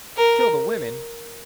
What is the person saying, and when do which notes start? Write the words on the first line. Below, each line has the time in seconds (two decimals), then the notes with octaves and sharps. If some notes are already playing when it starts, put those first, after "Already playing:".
Kill the women?
0.17 A#4